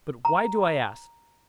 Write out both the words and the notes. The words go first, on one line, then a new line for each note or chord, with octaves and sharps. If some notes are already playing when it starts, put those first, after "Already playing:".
But why do I ask?
A#5